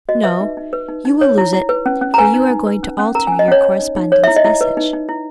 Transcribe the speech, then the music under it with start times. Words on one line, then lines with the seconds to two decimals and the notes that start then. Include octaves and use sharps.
"No, you will lose it, for you are going to alter your correspondent's message."
0.09 F#4 D#5
0.24 B4 E5
0.41 D#4
0.57 D#4
0.73 B4
0.89 D#4
1.05 D#4
1.21 C#5
1.38 E4
1.53 E4
1.69 B4
1.86 C#4
2.01 C#4
2.14 A#5
2.18 B4 G#5
2.34 D#4
2.51 D#4
2.66 B4
2.83 C#4
2.99 C#4
3.15 A#4 A#5
3.27 G#5
3.32 C#4
3.39 D#5
3.48 C#4 C#5
3.63 C#5
3.79 D#4
3.96 D#4
4.12 C#5
4.24 E5
4.28 E4
4.36 D#5
4.44 E4
4.61 B4
4.77 D#4
4.93 D#4
5.09 E4